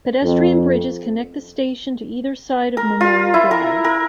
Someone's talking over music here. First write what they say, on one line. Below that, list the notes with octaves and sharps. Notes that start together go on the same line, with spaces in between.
Pedestrian bridges connect the station to either side of Memorial Drive.
F2
A#4
F4
E4
A#4
A#4